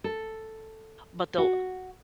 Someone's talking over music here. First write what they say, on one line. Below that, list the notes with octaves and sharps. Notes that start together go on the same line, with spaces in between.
but, they'll
A4
F#4